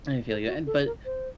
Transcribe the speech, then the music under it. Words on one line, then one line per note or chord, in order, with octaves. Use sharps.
I feel you, and but,
A4
F#4
A4
A#4
C5